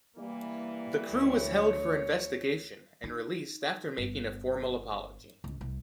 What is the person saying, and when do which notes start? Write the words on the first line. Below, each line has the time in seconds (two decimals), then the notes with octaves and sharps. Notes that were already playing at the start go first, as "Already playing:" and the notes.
The crew was held for investigation and released after making a formal apology.
0.17 E3 G3 A#3
1.13 D2 C#5
3.04 D#4
3.98 G1
5.44 C#2
5.61 C2